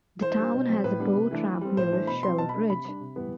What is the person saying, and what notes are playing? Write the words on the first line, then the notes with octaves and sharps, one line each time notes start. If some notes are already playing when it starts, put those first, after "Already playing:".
The town has a boat ramp near Schell Bridge.
E3 C5
G3 D4
B2
F#3 C4
A2 B4
G3 B3 D4
C3
E3 A3 D4
E3
G3 C4
A2 C5
E3 A3 D4
B2 B5
F#3 C4 C6
B2 A5
B5
A3 D4
C3 B5
G3 D4
C3
E3 G3 B3